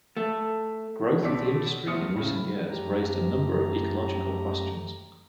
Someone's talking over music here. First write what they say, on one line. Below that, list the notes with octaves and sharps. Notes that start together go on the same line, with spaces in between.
Growth of the industry in recent years raised a number of ecological questions.
A3
B1 A4 D5 B6
E2 A3 C5 D#6 F6 C#7
A2 C#3
F#2 A3 G4 A#5